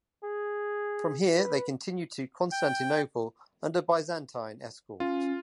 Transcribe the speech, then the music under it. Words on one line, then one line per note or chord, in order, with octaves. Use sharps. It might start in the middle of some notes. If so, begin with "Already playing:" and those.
From here they continued to Constantinople under Byzantine escort.
G#4
B4
G5
C#4 F4